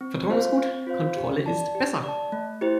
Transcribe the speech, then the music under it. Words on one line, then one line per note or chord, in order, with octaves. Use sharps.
Vertrauen ist gut, Kontrolle ist besser.
C4
F4 C5 F5
C4
F4 C5 F5
G4
D5 A5
G4
D5 A5
A3
E4 G4 C5